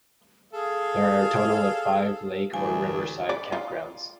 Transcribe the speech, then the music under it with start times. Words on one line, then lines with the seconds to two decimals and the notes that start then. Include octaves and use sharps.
There are a total of five lake or river side campgrounds.
0.53 G#4 A4 F5
2.53 D2 A2 E3 G3 F5 G#5
3.29 D5
3.52 F4